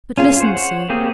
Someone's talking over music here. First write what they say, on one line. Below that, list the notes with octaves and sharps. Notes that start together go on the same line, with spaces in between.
But listen, sir.
C#4 F4 G#4
C5 C#5 F#5
A#3 C4 G4 G#4